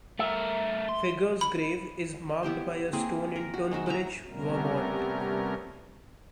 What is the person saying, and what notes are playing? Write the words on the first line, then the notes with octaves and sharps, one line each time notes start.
Figure's grave is marked by a stone in Tunbridge, Vermont.
A3 A#4 E5
C6
B5
B3 E4 G4 C5
A#3 C4 E4 G#4
A#4
F#4
G#3 D#4 F#4 E5
F#3 E4 E5 A#5
C3 G3 A3 B3 C#4 A#4